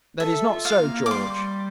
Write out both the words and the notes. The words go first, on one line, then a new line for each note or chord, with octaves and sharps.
'That is not so, George.'
A4 E5
F4
F5
A#3
D6
G3 C6